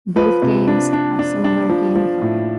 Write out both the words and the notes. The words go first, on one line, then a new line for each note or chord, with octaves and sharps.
Both games have similar gameplay.
F3 B4
C3
D4
D4
D4
D4
F3
F3
A2